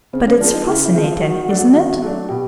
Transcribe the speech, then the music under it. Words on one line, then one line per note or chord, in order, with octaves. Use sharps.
But it's fascinating, isn't it?
C#3 C4
C#4
F3 G#3 C4 D4
D#4
C#3 E4
E4
F3 G#3 C4
F4
D#3 F#4
F#3 A3 D4
D#3
F#3 A3 D4
B2 G4